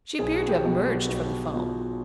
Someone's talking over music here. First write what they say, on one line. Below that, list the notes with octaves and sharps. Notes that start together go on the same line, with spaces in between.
She appeared to have emerged from the foam.
B1 G#4
F#4
G4
B2 F#3
G4
F#4
B1 F#4
B2 F#3 F4